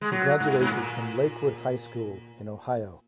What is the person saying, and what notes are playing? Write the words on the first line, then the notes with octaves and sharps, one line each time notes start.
She graduated from Lakewood High School in Ohio.
G#3
F#3
G#2
G#2
A#2